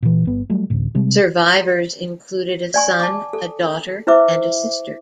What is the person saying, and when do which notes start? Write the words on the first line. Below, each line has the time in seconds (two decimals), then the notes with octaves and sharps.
Survivors included a son, a daughter and a sister.
0.03 A#2 E3
0.25 G1 B3
0.50 F#3 G3 A3
0.70 A1 D2 A2
0.95 C3 G3 G#3
2.74 D5 G#5 C#6
2.99 A5 D6
3.33 A4
4.07 E4 B4 C5 E5 D6